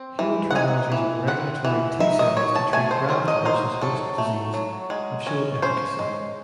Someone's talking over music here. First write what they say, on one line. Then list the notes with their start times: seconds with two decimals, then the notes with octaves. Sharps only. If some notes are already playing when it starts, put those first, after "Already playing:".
Human trials using regulatory T cells to treat graft-versus-host disease have shown efficacy.
Already playing: C4
0.19 E3
0.51 F#5
0.55 D#4 G#5
0.92 E3
1.27 C4 F#5
1.65 E3
2.00 D#4 E5
2.19 D#5
2.37 F#3 C#5
2.55 A5
2.73 A3 G#5
2.91 C5
3.09 F#3 C5
3.28 D#5
3.45 D#4 C5
3.81 F#3 A4
4.18 A3
4.54 F#3
4.90 G#3
5.27 C#4
5.62 C#4 C5
5.99 G#3